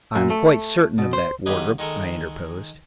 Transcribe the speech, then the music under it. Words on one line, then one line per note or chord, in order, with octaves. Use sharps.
"I am quite certain of that, Wardrop," I interposed.
F#2
A3
B2
C5
B1 D#3 G4 G#4 B4 D#5
D#3 G#3 A4 A#4